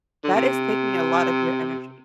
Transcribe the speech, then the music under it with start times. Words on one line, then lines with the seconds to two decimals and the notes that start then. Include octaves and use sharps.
that is taking a lot of your energy.
0.24 D3
0.35 C3